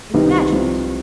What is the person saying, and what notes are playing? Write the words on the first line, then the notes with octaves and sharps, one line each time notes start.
Imagine it!
C2 C3 D#3 B3 D#4
C2 C3 F3